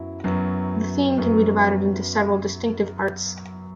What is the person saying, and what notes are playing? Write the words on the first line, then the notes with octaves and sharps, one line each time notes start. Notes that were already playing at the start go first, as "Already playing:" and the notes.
The theme can be divided into several distinctive parts.
Already playing: F#2 F#3 B3 E4
F#2 F#3 B3
F#2 F#3 B3